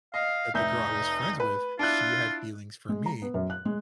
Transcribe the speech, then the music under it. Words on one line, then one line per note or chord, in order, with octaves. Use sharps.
that the girl I was friends with, she had feelings for me,
D#5 F5
F1 D#4 E5 G6
B4
D4 E4 F4 F#6
G#3
A#5
B3
F#2
F#6
G#3